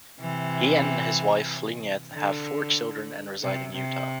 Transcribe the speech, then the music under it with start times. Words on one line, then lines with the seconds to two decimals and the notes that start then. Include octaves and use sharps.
He and his wife Lynette have four children and reside in Utah.
0.20 C3 E3
2.13 D3
3.42 C3
3.73 C3